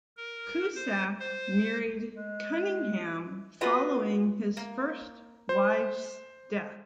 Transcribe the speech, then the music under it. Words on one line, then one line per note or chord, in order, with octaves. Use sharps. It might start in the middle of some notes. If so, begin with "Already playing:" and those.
Cusack married Cunningham following his first wife's death.
A#4
C5
C5
G#3
F4 F#4 G#4 B4 D#5
A#3
C5